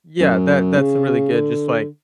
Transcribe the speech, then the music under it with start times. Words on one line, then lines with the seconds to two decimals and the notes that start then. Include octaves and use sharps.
Yeah, that that's a really good just, like,
0.21 F#2
0.78 C#3
1.33 D3